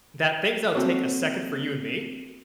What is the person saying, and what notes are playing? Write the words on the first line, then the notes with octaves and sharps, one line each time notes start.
that things that'll take a second for you and me,
A#3 C4 F#4 A4 C#5